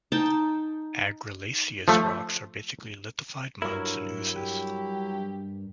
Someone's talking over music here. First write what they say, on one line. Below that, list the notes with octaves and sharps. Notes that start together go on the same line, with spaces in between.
Argillaceous rocks are basically lithified muds and oozes.
D#4 G5 A5
F3 A3
G2 F#3 E4 A#4
G4